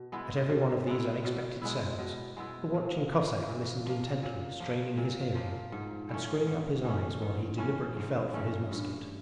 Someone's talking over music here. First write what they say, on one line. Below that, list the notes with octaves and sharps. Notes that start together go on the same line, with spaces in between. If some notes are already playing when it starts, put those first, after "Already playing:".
At every one of these unexpected sounds the watching Cossack listened intently, straining his hearing, and screwing up his eyes while he deliberately felt for his musket.
Already playing: B2
G#3 B3 E4
B2
G#3 B3 E4
B2
G#3 B3 E4
B2
G#3 B3 E4
A#2
F3 A#3
A#2
F3 A#3
A#2
F3 A#3
A#2
F3 A#3
G#2
E3 A3 C#4
G#2
E3 A3 C#4
G#2
E3 A3 C#4
G#2
E3 A3 C#4
G2